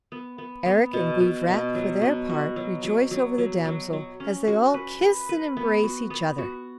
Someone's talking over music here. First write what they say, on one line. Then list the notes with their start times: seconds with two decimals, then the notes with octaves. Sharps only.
Erec and Guivret, for their part, rejoice over the damsel as they all kiss and embrace each other.
0.12 B3
0.38 B3
0.66 B3
0.93 B2
1.20 B2
1.48 B2
1.75 F#3
2.02 B2
2.29 F#4
2.56 F#3
2.84 F#3
3.11 F#3
3.38 F#3
3.66 F#3
3.93 F#3
4.20 C#4
4.48 F#4
4.74 B4
5.01 B4
5.29 B4
5.57 B3
5.84 F#4
6.10 B3
6.38 F#4